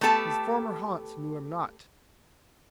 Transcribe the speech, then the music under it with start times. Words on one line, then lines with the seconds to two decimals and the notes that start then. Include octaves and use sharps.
His former haunts knew him not.
0.01 A3 B3 G4 A4 A#4 A5